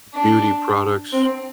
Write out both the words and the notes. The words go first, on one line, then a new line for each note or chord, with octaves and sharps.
beauty products,
D4
C4